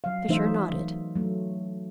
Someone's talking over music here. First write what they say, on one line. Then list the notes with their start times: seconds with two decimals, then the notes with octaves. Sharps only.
Fisher nodded.
0.04 F#3 F5
0.29 E3 F#3 A3 D#4 C5 E5
1.15 F#3 A3